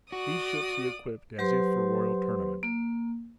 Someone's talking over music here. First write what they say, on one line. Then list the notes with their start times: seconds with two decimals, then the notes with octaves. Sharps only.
These ships he equipped as if for royal tournament.
0.12 F#4 D5 D#6
1.39 F#3 G4 B4 C5 C6
2.63 A#3